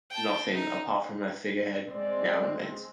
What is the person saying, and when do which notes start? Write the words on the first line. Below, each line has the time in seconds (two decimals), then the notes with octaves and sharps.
Nothing, apart from her figurehead, now remains.
0.10 G5 A5
0.53 D#4
1.89 G#3 C4 D5